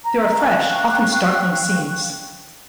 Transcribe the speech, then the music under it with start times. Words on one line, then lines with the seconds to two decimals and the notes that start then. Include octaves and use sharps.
There are fresh, often startling scenes.
0.03 A#5
0.38 F5 G5 C#6 F#6